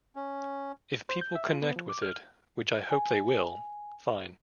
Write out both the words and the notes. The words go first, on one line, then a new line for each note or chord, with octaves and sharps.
If people connect with it, which I hope they will, fine.
C#4
C5
G6
E5
F4
B3
F3
D6
F6
G#5